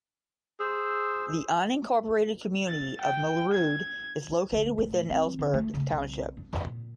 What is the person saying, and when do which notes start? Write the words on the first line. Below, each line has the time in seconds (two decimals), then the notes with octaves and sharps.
The unincorporated community of Melrude is located within Ellsburg Township.
0.60 G#4 C5 E6
2.68 A6
3.01 G5
3.53 G#6
4.52 D2
4.78 A2
5.10 C4
5.39 D3
5.54 A3
5.74 C#3
5.92 C2
6.37 D4
6.65 A#2